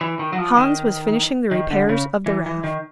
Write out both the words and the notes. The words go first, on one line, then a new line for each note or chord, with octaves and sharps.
Hans was finishing the repairs of the raft.
E3
D#3
F#3
F3
D#3
D#3
D3
C#3
E3
E3
D#3